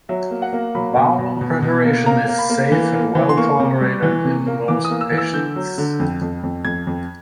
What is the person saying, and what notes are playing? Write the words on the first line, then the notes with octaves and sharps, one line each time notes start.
Bowel preparation is safe and well-tolerated in most patients.
F#3 E5
A#3
F#5
A#3
F#3 B5
B2
B2
B2
B2
A#3
A#3 A#5
A#3
B5
A#3
E3
A#3
E3
C6
A#3 C#6
C3
G3
E3
C3
A#3
E3 D6
D#6
A#3
E6
E3
E6
D3 G6
F#3
D3
F2
F2
F2
F2 G#6
F2